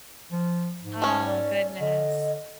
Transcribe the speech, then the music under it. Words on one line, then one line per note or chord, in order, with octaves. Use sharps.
Oh goodness.
F3
G#2
A3 C#4
D5
D3 D#5